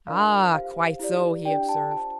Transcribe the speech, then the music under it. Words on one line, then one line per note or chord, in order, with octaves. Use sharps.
"Ah, quite so!" he observed.
D4 F4 A#4 D5 F5
G4 C5 F5
E4 G4 D5
D4 G4 D5 G5
A5
F4 C5 A5